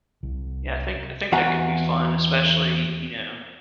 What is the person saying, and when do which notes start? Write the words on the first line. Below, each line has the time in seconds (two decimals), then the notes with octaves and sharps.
Yeah, I think I think that could be fun, especially, you know
0.23 C2
1.32 E2 F#4 F5 F#5 G#5 A#5